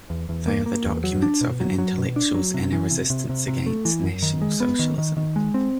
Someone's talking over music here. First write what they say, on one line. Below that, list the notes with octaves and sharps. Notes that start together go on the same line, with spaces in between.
They are the documents of an intellectual's inner resistance against National Socialism.
E2
E2
A#3
A#3
E2
F#3
D4
B2
F#3
F#3
B2
D4
F#3
C3
E3
C3
C3
C3
C3
A3
E3
F#2
D#3
G#3
B3
D#3
D#3
D#3
G#3
C4